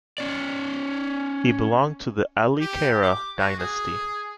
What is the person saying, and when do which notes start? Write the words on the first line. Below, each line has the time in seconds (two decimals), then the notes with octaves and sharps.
He belonged to the Aulikara dynasty.
0.18 C#4 D5
2.60 G4
3.02 D6
3.38 F#4
3.59 G#4